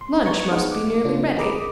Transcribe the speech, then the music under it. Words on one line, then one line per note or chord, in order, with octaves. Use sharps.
Lunch must be nearly ready.
C6
B4 D5 A#5 C#6 G#6
B3 D#4 G#4 B4 D#5 F#5
D6
C#3 C#4 D4 F4
G#4 A#4 D#5 B5 D6